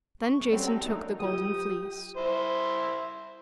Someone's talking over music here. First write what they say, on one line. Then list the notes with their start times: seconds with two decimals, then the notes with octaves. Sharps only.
Then Jason took the Golden Fleece.
0.23 C#6
0.40 F2
0.52 G3 C4 C#4 F#4 G4 A4
0.67 G5 A5 A#5 E6
0.83 F#3 A3 A#3 D4 D#4
1.20 F#3 F4 G4 D#6
2.17 E4 C5